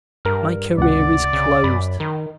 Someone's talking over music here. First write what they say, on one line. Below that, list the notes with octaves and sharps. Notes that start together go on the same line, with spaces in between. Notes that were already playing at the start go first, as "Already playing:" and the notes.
My career is closed.
G2 A#4 F6
C#2 C3 D5 F#5
C#3
F#2 B5
D#3 A#4